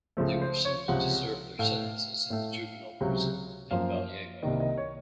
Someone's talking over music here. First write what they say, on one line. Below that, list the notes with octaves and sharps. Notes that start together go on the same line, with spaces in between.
They were sent to serve their sentences in the Juvenile Prison in Valjevo.
C#2 C#3 F3 A3
C5
C#5
C#2 C3 F3 F#5
A2 A3 F5
A2 A3
C#2 C3 F#3
F#2 F3 A#3 F5
C2 C3 D#3 A#3 D#5
D#5
C#5